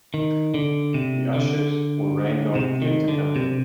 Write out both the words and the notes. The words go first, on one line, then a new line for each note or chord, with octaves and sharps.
"The Ushers" for Rain Dog theatre company.
D#3
D3
C3
D3
C3
D#3
D3
C3